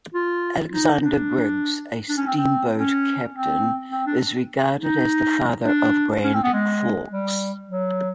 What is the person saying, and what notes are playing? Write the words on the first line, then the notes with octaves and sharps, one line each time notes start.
Alexander Griggs, a steamboat captain, is regarded as "The Father of Grand Forks".
F4
D#4
D4
D4
C#4
C4
C4
C#4
C4
C4
D4
D#4
D4
C#4
C4
B3
G#3
G3
F#3